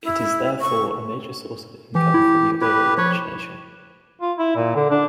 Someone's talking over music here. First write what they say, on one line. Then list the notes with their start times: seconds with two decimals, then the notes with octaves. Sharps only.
It is therefore a major source of income for the oil-rich nation.
0.03 E4
0.61 C#6
1.95 E3 G4
2.14 E4
2.61 E4 G4 B4
2.98 F3 B4 C#5
4.22 F4
4.39 E4
4.56 A#2
4.76 D3
4.91 D4